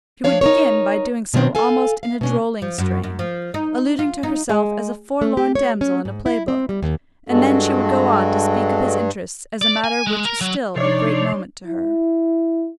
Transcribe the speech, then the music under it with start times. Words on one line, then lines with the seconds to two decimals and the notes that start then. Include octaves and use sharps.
She would begin by doing so almost in a drolling strain, alluding to herself as a forlorn damsel in a play-book; and then she would go on to speak of his interests as a matter which was still of great moment to her.
0.24 F3 D4 C#5 F5
0.41 D#4 A#4 C#5
1.34 B2 D#3 G3 C4 D4
1.55 A4 F5 G#5
2.03 F5
2.21 B2 C#4 D4
2.62 F3
2.78 F#2
3.03 F#2
3.19 F3
3.54 D#4
3.99 F4
4.23 D#4
4.49 G#3
5.21 A3
5.37 G4
5.55 C#5
5.81 C#4
6.05 G#2
6.26 E4
6.48 C4
6.69 G3
6.82 D#2
7.29 G2 G#3 F#4 A4
9.62 D5
9.84 G#5
10.07 G#3
10.25 A#4
10.41 F#3
10.76 C3 F3 D4 D#4 C#5 D5 C6
11.66 E4